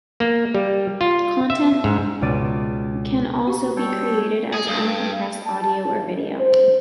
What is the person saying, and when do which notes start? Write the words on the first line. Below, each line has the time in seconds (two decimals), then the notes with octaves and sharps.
Content can also be created as uncompressed audio or video.
0.20 A#3
0.54 G3
1.01 F4
1.50 E5
1.84 G#2
2.21 C#2 B2 D5 D#7
3.47 F#4 G4
3.76 G3 A4 C#5 G5
4.54 G#4
4.68 G2
5.46 A5
5.86 G#1
6.39 C5